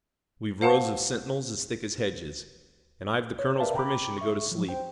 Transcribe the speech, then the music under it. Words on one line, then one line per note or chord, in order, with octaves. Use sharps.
We've rows of sentinels as thick as hedges, and I've the colonel's permission to go to sleep.
C5 F5 F#5 A5
C#5
A#4 B4 D5 E5 F5 A5
G5 A#5 B5 D6
E5 C#6
F3 F#3
C5 G5